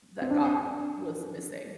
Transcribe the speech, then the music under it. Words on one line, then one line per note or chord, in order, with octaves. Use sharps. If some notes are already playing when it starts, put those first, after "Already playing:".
that got was missing,
C4
D4